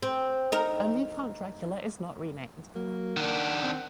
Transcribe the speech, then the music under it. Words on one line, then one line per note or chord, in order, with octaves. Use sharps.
Only Count Dracula is not renamed.
C4
D#4 A#4
F#3 A#3
D#3 D4 F#5
C4